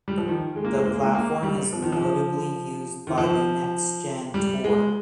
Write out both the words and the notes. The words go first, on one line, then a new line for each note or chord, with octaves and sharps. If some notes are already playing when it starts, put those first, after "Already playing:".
The platform is notably used by the Next Gen Tour.
G3
F3
D#3
G#3
A#3
G#3
A#3
G#3
A#3
A#3
G3
F3
D#3
F3
D#3
F3
G3
G#3